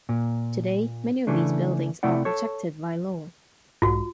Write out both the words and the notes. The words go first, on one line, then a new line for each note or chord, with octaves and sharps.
Today, many of these buildings are protected by law.
A#2
C#3 E3 A3 D4
C3 A3 E4 D5 F#5
A4 C#5
B1 G#2 F4 F#4